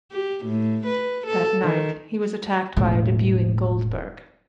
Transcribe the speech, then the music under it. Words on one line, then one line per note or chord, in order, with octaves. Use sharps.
That night, he was attacked by a debuting Goldberg.
G4
A2
B4
A4
D#3
E1 A2